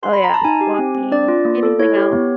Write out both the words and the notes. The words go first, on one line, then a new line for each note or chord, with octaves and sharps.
Oh, yeah walking. Anything else?
C6
B5
A#5
A5
D#4 G#5
G4
C4
C4
D4 D5
F4
A#3
A4
E4 C#5
G4
B3